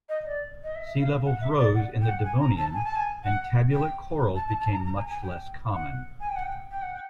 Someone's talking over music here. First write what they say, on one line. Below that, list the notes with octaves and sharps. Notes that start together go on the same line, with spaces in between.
Sea levels rose in the Devonian, and tabulate corals became much less common.
D#5
D5
D#5
E5
F5
F#5
E5
D5
F#5
G5
F#5
G#5
A#5
A5
G#5
A5
G#5
F#5
G5
A5
A5
A5
A#5
A#5
G#5
G#5
G5
F#5
G#5
G5
F#5
G5
G5
F#5
G5